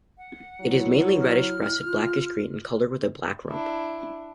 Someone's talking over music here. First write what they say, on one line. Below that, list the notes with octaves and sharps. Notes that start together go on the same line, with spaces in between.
It is mainly reddish-breasted, blackish-green in color with a black rump.
F#5
F#3 E4
F6
F4
D4 E4